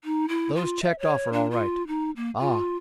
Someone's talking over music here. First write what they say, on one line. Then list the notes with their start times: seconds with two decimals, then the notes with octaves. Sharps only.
"Those checked off are all right."
0.04 D#4
0.28 E4
0.55 F4
0.83 E5
0.99 C#5
1.33 D4
1.51 F4
1.87 D#4
2.16 A#3
2.40 F4